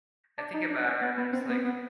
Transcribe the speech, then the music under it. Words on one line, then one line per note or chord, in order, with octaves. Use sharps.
I think about it right now, and it's, like,
D4
D#4
D4
C#4
B3
B3
C4
B3
B3